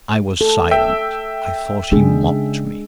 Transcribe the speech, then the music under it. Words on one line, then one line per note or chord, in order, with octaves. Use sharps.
I was silent: I thought he mocked me.
A4
E5 G5 E6
C#3 G#3 D4 G#4